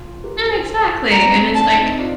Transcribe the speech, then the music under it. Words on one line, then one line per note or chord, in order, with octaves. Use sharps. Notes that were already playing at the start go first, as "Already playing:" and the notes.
Ah, exactly, and it's like
Already playing: F4
G4 A#4
A4 C5
D4 A#5
C4
D4 A5
C4 D#4
D4 F4